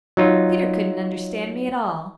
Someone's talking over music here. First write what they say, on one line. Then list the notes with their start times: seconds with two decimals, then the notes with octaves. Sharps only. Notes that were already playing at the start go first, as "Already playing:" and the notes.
Peter couldn't understand me at all.
0.17 F#3 D#4 F4